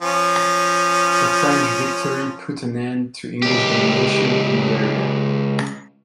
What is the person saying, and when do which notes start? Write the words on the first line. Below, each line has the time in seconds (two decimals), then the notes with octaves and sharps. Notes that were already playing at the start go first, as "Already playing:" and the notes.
The French victory put an end to English domination in the area.
0.01 F3 C#4
3.42 C#2 G4